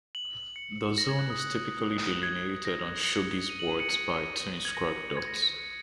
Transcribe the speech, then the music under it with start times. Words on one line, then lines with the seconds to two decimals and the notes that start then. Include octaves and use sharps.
The zone is typically delineated on shogi boards by two inscribed dots.
0.15 F#7
0.56 C#7
0.98 A#6
1.09 G#6
1.19 F#6
1.30 D#6
1.40 F#6
2.23 G#6
2.65 A#6
3.07 C#7
3.50 D#7
3.59 F#7
3.70 D#7
3.80 C#7
4.65 G#6
4.75 A#6
5.17 G#6
5.27 A#6
5.37 C#7
5.48 A#6
5.59 C#7